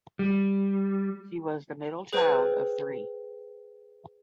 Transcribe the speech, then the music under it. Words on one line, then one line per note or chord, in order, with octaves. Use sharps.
She was the middle child of three.
G3
G#4 B4 C5 G5